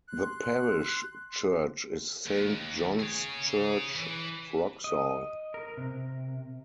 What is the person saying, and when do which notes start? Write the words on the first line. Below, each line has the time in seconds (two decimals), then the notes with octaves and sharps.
The parish church is Saint John's Church, Wroxall.
0.08 C6 F#6
2.27 D#2
2.99 G#4 C#5
3.96 E3
4.84 D#5
5.54 A#4
5.77 C3